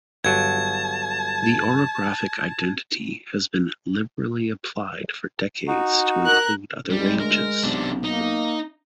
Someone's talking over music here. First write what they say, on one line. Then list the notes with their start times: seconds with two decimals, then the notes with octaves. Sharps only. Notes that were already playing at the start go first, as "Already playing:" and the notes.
The orographic identity has been liberally applied for decades to include other ranges.
0.24 G1 F#3 A5 G#6
5.68 D#4 F#4
6.26 A#4 F#6
6.90 C2 G3 G#3
7.20 D2 A#4
7.64 B1 C3 D4
8.04 A#3 D#4